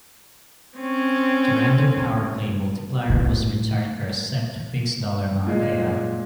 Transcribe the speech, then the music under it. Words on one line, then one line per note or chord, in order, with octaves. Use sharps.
The random "Power Play" multiplier was retired for a set, fixed dollar amount payout.
C4 C#4
A2
A#2 G#3